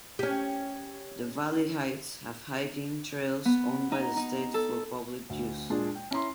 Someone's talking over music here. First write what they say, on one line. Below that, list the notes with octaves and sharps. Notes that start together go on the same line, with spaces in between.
The valley heights have hiking trails owned by the state for public use.
C#4 G4
B3
D#4
D#4
A4
D2
A#2 G#3 D4 F4 G#4
G5
C#4 E4 A#5 C6